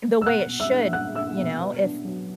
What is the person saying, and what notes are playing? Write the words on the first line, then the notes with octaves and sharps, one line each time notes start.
The way it should, you know, if
E6
B2 F#5 F#6
B2
E5 E6
D4
D4 F#5 F#6
D4 E5 E6
B2
B3
D4
F#3